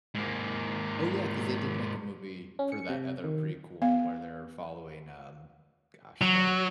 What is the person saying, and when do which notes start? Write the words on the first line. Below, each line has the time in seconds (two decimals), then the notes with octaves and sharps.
Oh, yeah, 'cause they did make a movie for that other prequel where they're following, um, gosh, the
0.15 G#2 A#3
2.59 C#4
2.72 C#7
2.89 C3
3.24 D#3
3.82 B3 F5
6.22 F#3